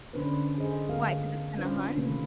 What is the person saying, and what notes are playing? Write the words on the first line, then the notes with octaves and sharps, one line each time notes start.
Why, 'cause it's gonna hunt?
D3 C#4 D4 B4 C5
G#4 C5 D#5
D3 A3 B3 A4 A#4 F5
C#4 D4 F4 B4 C5
C3 D#3 A3 A#3 B4